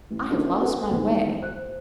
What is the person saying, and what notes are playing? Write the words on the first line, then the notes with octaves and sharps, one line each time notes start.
'I have lost my way.
A1
A#3 C#4 D4 E4 F#4
C4 F#4 A4 B4 C5 F#5
G#1 E2 G#2
C5 F#6